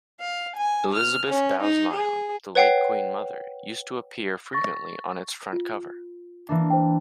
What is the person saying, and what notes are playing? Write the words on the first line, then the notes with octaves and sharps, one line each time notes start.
Elizabeth Bowes-Lyon, the late Queen Mother, used to appear frequently on its front cover.
F5
G#5
F6
C#4
D#4
G#4
B4 C#5 F#5 G5 C7
C#6 A6 A#6
F4
E3 A#3 D4
C5 G5